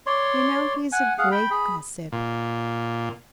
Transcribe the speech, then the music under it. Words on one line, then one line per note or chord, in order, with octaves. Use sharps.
You know he is a great gossip.
C#5 D5 C6
F#5 G#5
G#4 F5 F#5
G5 B5
G#4 B5
A#2